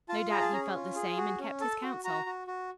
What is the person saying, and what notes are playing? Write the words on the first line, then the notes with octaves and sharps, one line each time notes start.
No doubt he felt the same and kept his counsel.
F4 A5
G#4 A#5
A5
C#4 A#5
F4
G#4
F#4
C#4
A4 A5
F#4
F#4 A#5
F#4
F#4